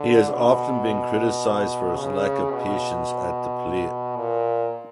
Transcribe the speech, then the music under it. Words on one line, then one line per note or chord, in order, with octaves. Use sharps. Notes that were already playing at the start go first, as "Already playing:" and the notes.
He has often been criticized for his lack of patience at the plate.
Already playing: D3
B2
C#3
B2
A#2